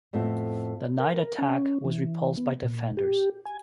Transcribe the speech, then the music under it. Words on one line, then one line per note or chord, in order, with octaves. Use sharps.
The night attack was repulsed by defenders.
F2 A2 B3 C4
A#4
C#4
E3
B3
A#2
G4
G#5